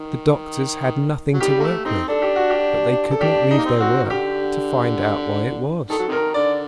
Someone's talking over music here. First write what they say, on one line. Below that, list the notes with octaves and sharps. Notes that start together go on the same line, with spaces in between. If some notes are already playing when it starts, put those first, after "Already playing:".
The doctors had nothing to work with, but they could not leave their work to find out why it was.
Already playing: D#3
F#3
C3 D#3 G3 G4
A#3
A3
C4 D#4
D4 A4
G4
F#4
G4
A4
D4 G4
D#4
A#3
C4
F#4
D#3
D3 G4
D#3 A4
F#3
C3 D#3 A#4
D3 D5